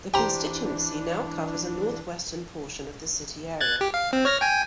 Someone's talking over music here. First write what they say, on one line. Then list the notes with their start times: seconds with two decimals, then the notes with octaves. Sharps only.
The constituency now covers a north western portion of the city area.
0.14 E3 D4 G4 C5 G5 A#5
3.61 F#6 G#6 A6
3.81 G4
3.94 F5
4.13 C4
4.25 C#5 F6 A#6
4.41 G5 G#5